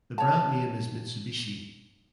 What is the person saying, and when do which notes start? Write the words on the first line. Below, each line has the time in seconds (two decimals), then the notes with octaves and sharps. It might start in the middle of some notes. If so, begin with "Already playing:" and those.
The brand name is Mitsubishi.
0.18 C#5 A5